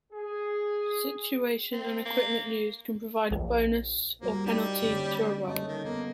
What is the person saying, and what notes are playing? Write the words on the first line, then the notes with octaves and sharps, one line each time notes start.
Situation and equipment used can provide a bonus or penalty to a roll.
G#4
C4
A#3
A#1
G3 A#3 F#4 C5
G3 D#4
D3 A#3 C#4
A3 C#4 A4 D#5
D#3
A#3 B3